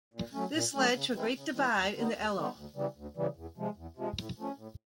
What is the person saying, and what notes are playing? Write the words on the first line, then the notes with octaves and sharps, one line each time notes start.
This led to a great divide in the Eloh.
A#2
F#3 A3 C#4
A#2
F#3 A3 C#4
C#3
E3 G#3 C4 E4
C#3
E3 G#3 C4 E4
D#2
D3 G3 B3 D#4
D#2
D3 G3 B3 D#4
D2
C#3 E3 G3
D2
C#3 E3 G3
E2
C3 F3 G#3
E2
C3 F3 G#3
A2
F3 A3 C#4
A2